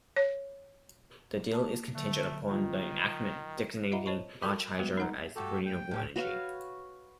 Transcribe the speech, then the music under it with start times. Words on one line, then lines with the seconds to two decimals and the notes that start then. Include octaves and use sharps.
The deal is contingent upon the enactment designating large hydro as "renewable energy".
0.16 C#5
1.53 A#3 A5
1.95 D3 F#3 A3
2.49 D#3 F#3 F4
3.92 F4 D#5 E5 F#5 A#5 B5
4.06 C5 C#5 D#5 A5 B5 C#6
4.42 F#4 A4 A#4 D5 G5
4.79 G3 G#3 B3 F#4 B4
4.97 D#4 A#4 F#5 A#5
5.36 G2 A3 F#4 G4 A4
5.66 G5
5.91 A2 C#4 G4
6.16 F#4 B4 C#5 F5